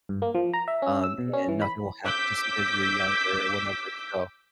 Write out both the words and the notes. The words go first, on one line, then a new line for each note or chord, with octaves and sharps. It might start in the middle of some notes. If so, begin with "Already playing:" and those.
um, and nothing will happen just because you're younger or whatever," so,
G2
A#3
F3
A#5
E5
C#4
E6
B2
C#4
E3
B5
D6 E6 G6 B6